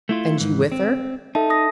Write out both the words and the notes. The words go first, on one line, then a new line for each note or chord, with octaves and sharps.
"And you with her?"
A3 E4 F4
G#2 E3
C4
D#4 A4 E5 A5
D#6 A#6